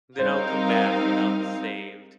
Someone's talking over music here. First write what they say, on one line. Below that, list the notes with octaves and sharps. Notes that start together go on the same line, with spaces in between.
then I'll come back and I'll be saved.
G3 C4 D#4 A#4 C5 F5